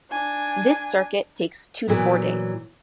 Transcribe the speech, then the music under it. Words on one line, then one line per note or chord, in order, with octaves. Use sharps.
This circuit takes two to four days.
D4 G#5
A#2 E3 F#3 B3